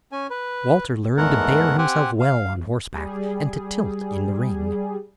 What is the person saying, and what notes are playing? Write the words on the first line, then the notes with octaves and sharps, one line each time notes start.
Walter learned to bear himself well on horseback and to tilt in the ring.
C#4 G#5
B4
E2 G#2 A3 B3 A#4 F#5
C4 G4 F#5 G#5
F5
G3 G#4